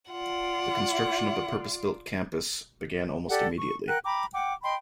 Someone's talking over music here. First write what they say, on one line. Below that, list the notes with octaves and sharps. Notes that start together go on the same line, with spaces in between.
The construction of a purpose built campus began almost immediately.
F4 D5 F#5
G4 A4 D5 F#5
C#6
A#4 F#5 G5 F#6
G5 A#5 B5 D6
F#5 G5 D6
D#5 G5 B5 C6